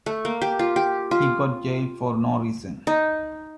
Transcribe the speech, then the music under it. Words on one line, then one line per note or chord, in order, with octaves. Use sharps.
He got jailed for no reason.
A3
A#3
G4
F4
G4
F4
D#4